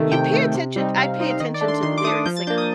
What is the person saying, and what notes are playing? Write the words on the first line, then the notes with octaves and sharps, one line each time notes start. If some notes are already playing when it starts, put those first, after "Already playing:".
you pay attention, I pay attention to lyrics, like,
Already playing: C3 D#3 A3
C3 G5
D#3 A3
C3
G3 C4 D#4
C3 F5
G3 C4 D#4
F5
D#3 D#5
D5
A3 D4
C6
D#3 C6
D6
A3 D4 D#6
F3 G6
A6
A#3 D4 G6
D#6